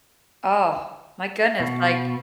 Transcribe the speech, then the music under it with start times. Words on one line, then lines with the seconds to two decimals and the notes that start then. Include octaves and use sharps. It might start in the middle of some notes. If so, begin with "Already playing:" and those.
Oh, my goodness, like
1.60 B2